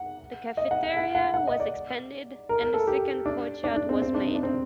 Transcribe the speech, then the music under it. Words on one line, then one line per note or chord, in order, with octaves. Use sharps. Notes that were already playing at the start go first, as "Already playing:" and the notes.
The cafeteria was expanded and a second courtyard was made.
Already playing: F#5
D#5
F#5
F#5
F#5
F#5
F#5
D#5
D5
A#4
A#4
A4
G4
D4
D4
D4
C4
C4
D4
D#4
D4
C4